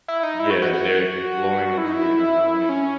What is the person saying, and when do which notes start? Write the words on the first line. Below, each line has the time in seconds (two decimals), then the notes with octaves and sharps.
Yeah, they're exploring into the unknown in
0.08 E4
0.23 D#4
0.40 E4
0.50 F#4
0.62 F#4
0.73 F#4
1.78 E4
1.84 D#4
1.93 E4
2.69 C#4